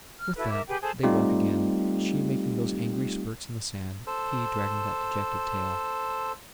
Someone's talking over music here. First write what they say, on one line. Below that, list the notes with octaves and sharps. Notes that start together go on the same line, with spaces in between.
With that, they walk again; she, making those angry spirts in the sand; he, dragging that dejected tail.
F6
E4 F#4 A4 B4
A#4 E5 D6
G4 G#4 B4 G5
G#4 A4 C5 A5
G3 A3 C4 D#4 F4 G4
A4 C5